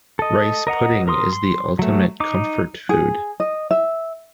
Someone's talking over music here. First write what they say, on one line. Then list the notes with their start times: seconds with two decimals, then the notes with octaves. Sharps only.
Rice pudding is the ultimate comfort food.
0.19 A4 D#5
0.67 A#4 D#5 F#5 A#5
1.08 A#4 C6 D#6
1.33 C6
1.79 F#3 A3
2.20 D#4 D6
2.89 G#4
3.40 D#5
3.71 E5